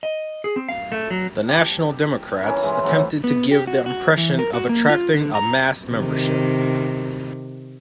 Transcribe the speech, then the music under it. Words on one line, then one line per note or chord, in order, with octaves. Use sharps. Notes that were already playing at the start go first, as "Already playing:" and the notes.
The National Democrats attempted to give the impression of attracting a mass membership.
D#5
G#4
C4
F5
A3
F#3
G4 G5 A5
D#3 E3 C#4 A#4
E3 G#3 E5 C6
A2 C3 E3 F#3
B3
G4
F#4
F#4
E3
A#4
F#4
A#3
F4
D3
A#5
C3 D#3